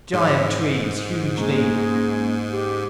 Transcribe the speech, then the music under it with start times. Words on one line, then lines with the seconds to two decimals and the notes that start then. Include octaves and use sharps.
Giant trees, huge-leaved.
0.13 G#2
1.38 G#3 A#3 C#4
2.51 G4